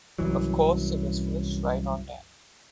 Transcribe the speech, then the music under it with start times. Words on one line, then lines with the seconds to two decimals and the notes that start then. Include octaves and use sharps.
Of course, it was finished right on time.
0.19 C2 F#2 E3 F#3